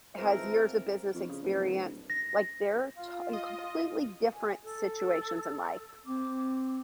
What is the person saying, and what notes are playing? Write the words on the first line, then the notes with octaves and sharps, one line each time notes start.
has years of business experience. Like they're to in completely different situations in life.
G#2 E3 F3 C4 A#4
F2
C#3
F#1
D1
A#6
F4
D#5
G#5
A4
C4 D6